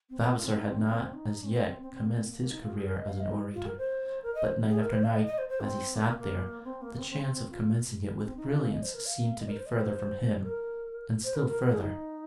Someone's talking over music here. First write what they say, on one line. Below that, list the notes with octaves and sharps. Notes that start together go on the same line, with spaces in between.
Vavasor had not as yet commenced his career as an orator; but night after night, as he sat there, the chance of commencing it with brilliance seemed to be further from him, and still further.
C4
C4
F4
C4
D#4
C4
D#4
C4
C4
D#4
C4
C4
C4
A#3
C4
A#3
A#3
D#4
F4
G#4
A#4
D#5
F5
D#5
D#4
F4
A#4
C5
A#4
D#5
C5
G#4
A#4
C5
F5
D#5
D#5
C5
C5
C4
A#3
A#3
A#3
C4
A#3
A#3
C4
C4
C4
C4
F4
D#4
C4
C4
D#4
F4
F5
D#5
C5
A#4
F5
D#5
A#4
C5
D#5
C5
A#4
C5
A#4
A#4
G#4
D#4